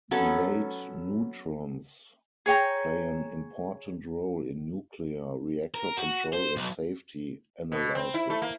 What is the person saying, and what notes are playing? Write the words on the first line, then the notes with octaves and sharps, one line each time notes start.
Delayed neutrons play an important role in nuclear reactor control and safety analysis.
F#3 B3 C#4 A4
G#4 C#5 G5 A#5
A#4
F#4
C5
B1
B2
C4
E4
A3
A#3